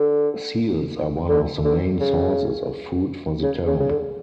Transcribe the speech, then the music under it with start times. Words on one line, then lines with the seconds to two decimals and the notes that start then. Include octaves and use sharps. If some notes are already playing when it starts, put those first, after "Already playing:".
Seals are one of the main sources of food for the town.
Already playing: D3
1.29 D3
1.65 D3
2.00 C#3
3.43 C#3
3.67 C#3
3.80 C#3
3.90 D3